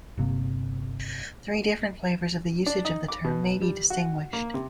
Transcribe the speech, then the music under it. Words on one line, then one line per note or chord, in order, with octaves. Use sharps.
Three different flavors of the usage of the term may be distinguished.
G1 C3 A#3
D4
D#4
D6
B2
G3
F#4
A#3
C3